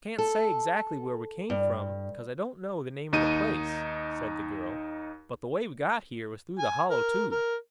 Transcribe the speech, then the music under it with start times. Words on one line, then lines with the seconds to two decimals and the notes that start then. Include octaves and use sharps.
"I can't say, exac'ly where we came from, cause I don't know the name of the place," said the girl, "but the way we got here was through the Hollow Tube."
0.18 A4
1.50 G2
3.13 D#2 D#4 D#7
6.59 G#5
6.91 A#4
7.32 A#4